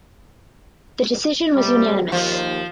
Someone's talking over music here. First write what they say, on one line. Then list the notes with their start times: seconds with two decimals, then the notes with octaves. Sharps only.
The decision was unanimous.
1.55 C3 G3
2.12 D#2 F3